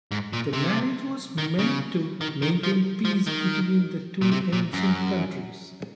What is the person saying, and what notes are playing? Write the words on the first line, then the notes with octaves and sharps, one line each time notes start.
The marriage was meant to maintain peace between the two ancient countries.
G#2
A#2
C3
D#3
C#3
D#3
D#3
F3
F3
D#3
A#2
C3
A#2
F#2